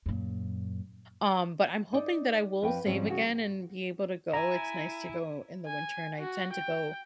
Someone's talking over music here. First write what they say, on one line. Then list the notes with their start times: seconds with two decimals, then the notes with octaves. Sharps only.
um, but I'm hoping that I will save again, and be able to go. It's nice to go in the winter, and I tend to go
0.06 F#2 A#2
1.93 D#4 D5
2.62 F2 B4 G5
2.85 G#2 F3 G3 C4 C#4
3.07 C#3 F#4
4.34 E4 G#5 A#5
5.67 G#5
6.20 F#4
6.54 G5